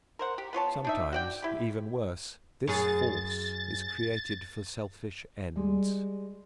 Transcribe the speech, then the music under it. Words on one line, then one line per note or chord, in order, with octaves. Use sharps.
Sometimes even worse, this force is created for selfish ends.
A#4 C5 F#5
G4
B3 F4 C#5 A5
D4 D#4 E5
F#4 D5 G5
E4 G4
F#2 G#4 A6
G3 G#3